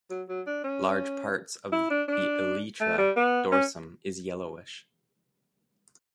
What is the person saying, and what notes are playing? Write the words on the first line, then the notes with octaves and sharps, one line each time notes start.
Large part of the elytra dorsum is yellowish.
F#3
F#3
D4
C#4
E4
D4
D4
A3
G3
B3
C#4